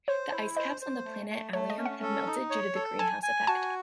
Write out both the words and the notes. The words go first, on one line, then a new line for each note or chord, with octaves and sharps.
The ice caps on the planet Allium have melted due to the greenhouse effect.
C5 C#5
E4 C#5
C5 D#5
C5
A3
A3
A3 C#5
D#5
C#4
F#5
A4
D#4
C#5
A4
G#5 A5
G#5
F#4 A5